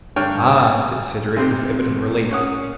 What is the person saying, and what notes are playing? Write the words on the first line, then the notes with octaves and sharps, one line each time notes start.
"Ah!" said Cedric, with evident relief.
G2 C#5 G5 F6
B1 C3 C4
C#4 F#5 D#6